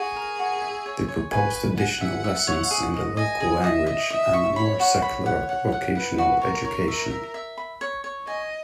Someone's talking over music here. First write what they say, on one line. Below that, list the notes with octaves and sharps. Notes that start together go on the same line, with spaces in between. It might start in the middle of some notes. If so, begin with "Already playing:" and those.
They proposed additional lessons in the local language and a more secular vocational education.
Already playing: F#4 G#4
A#4
F#4
E5
C#5
C#5
B4 G#5
G#5
F#5 G#5
E5
E5
C#5
G#4
D#5
D#5 G#5
G#4
D#5 E5
D#5
D#5 E5
C#6
C#5 B5
F#4
C#5 B5
F#5
F#5
F#5
B4 F#5
F#4
A#4 C#5
C#5
A#4 E5
E5
E5
B5
C#5
C#5
D#5 G#5